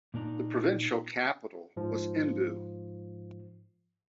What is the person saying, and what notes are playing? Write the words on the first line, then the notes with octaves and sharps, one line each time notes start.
The provincial capital was Embu.
A#2 A#3 D4 D#4
G#2 F3